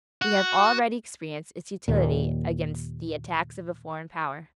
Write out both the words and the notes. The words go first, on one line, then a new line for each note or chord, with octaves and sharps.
We have already experienced its utility against the attacks of a foreign power.
F#4
D#2 A#2